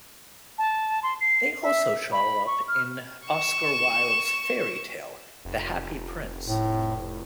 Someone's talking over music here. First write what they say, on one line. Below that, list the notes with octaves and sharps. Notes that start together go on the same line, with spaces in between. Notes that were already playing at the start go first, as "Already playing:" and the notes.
They also show up in Oscar Wilde's fairy tale The Happy Prince.
A5
C6
C7
E5
B5
C#6
F6
C#6 E7
F1
A2